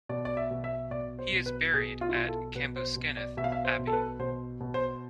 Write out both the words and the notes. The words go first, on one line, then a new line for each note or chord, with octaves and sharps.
He is buried at Cambuskenneth Abbey.
B2 D5
D5
E5
B2
E5
B2 D5
C5
B2
B4
B2 G#4
F4
E4
B2 F4
A4
B2 B4
C5
B2
D5
B2 E5
F5
E5
C5
B2
A4
B4
B2 C5
B2
C5